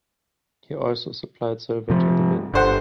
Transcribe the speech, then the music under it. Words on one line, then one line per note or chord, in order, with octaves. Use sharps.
He also supplied silver to the mint.
C3 F3
G1 D3 C5 F#5